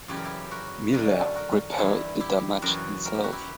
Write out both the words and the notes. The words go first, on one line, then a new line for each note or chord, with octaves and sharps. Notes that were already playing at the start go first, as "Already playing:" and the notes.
Miller repaired the damage himself.
F#2 C#3 E3 G4
A#4
E4 G4
F#4 A#4
F#2 D3 F#4 A#4
F#4 A#4
G2 E3 E4 G4
E4 G4
F#2 F#4 A#4
E3
A#4
G4
F#4
E4 G4